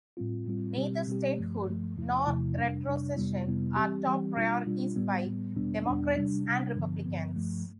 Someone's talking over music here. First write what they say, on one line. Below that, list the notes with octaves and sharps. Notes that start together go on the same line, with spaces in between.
Neither statehood nor retrocession are top priorities by Democrats and Republicans.
A2 G3 C4 F4
A2 G3 C4 F4
B2 G3 C4 G4
B2 G3 C4 G4
G2 F3 A3
G2 F3 A3
E2 C3 F3 A3 E4
E2 C3 F3 A3 E4
F2 C3 G3 D4
F2 C3 G3 D4
F2 C3 G3 B3 E4
F2 C3 G3 B3 E4
E3 G3 C4 G4
E3 G3 C4 G4
B2 G3 D4 F4
B2 G3 D4 F4
A2 G3 B3
A2 G3 B3
E2 B2 G3 B3 D4
E2 B2 G3 B3 D4
C3 G3 D4
C3 G3 D4
G2 D3 F3 B3
G2 D3 F3 B3
G2 F3 A3